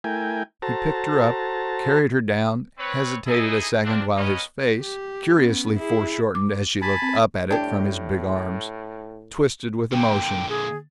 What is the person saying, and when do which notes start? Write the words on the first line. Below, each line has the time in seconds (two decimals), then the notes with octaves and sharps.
He picked her up, carried her down, hesitated a second while his face--curiously foreshortened as she looked up at it from his big arms--twisted with emotion.
0.04 A3 E4 A#4 G5 G#5
0.62 F#4 A4 C5 A5 A#5
2.78 C4 B4 C#5
3.26 D#4 E4 G#4 A4 D#5 G#5
3.83 A#3 C4 D4
4.16 B3 C#4 A#4 B4 C#5 D#5
4.79 G4
5.36 B3 C#4
5.78 E4 G#4
6.35 D6
6.82 G#5 A5 B5
7.02 C4
7.51 A2 D4 G4
9.92 A#2 D3 G5
10.49 G#4